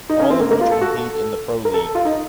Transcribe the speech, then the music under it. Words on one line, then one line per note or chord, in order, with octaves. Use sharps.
All of which compete in the Pro League.
D#4
C#4
C4
A#3
A#3
F4
A4
F#4
A4
A#4
A4
F4
D#4